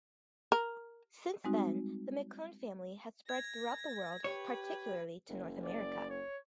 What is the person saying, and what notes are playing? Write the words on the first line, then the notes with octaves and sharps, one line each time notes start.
Since then, the McCunn family has spread throughout the world particularly to North America.
A#4
G3 G#3 C4 D#4 F#4
G#6 A#6
G4 B4 C#5
F#1
D5
C#5